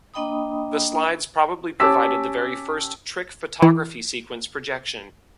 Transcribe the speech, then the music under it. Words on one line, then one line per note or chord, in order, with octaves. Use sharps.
The slides probably provided the very first trick photography sequence projection.
A#3 D4 D#5 G5 B5 D#6
C#4 G4 A5 D6 E6 B6
E3 E4